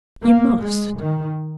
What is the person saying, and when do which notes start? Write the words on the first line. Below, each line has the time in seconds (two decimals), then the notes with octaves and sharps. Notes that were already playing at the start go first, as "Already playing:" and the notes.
You must.
0.23 A#3
0.60 G#3
0.98 D#3